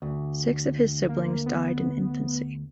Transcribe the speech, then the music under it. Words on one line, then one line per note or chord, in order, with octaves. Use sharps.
Six of his siblings died in infancy.
D2
A#3
B3